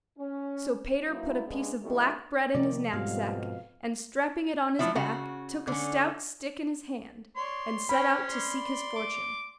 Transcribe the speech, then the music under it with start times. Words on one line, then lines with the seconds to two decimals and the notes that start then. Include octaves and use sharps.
So Peter put a piece of black bread in his knapsack, and strapping it on his back, took a stout stick in his hand, and set out to seek his fortune.
0.18 C#4
1.09 B2 F#3 A#3 E4
1.47 G2 C#3 G#3 B3 D4
1.82 F#2 C3 D#3 G3 A3 E4
2.54 C2 C3 D#3 F3 A3 D5
2.93 F2 G#2 B2 G3 F5
4.79 F3 F#3 E4
4.95 C#3 F#4
5.67 D3 C#4
7.36 C#5 D5 C6
7.89 C#4 C5 G5 B5
8.27 D5 C6
8.95 D6